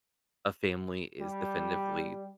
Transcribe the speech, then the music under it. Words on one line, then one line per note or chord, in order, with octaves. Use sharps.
a family is definitively
G3